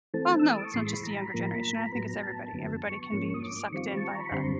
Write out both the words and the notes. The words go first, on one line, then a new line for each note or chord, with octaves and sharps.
Oh, no, it's not just the younger generation, I think it's everybody. Everybody can be sucked in by the
E3 A3 C4 A5
E6
D#6
D6
C#6
A2 E3 G#3 C6
B5
A#5
B5
A#5
B5
A2 F3 A#3 A#5
B5
A#5
B5
A#5
B5
A#5
B5
A2 F#3 B3 A#5
A5
F#2 D3 F#3 B3
C#6
G#2 F3 A#3 C#4
D#6
D6
D#3 G3 C4 F4 C#6
A5
A#5
B5
F#2 D3 G3 C4 C6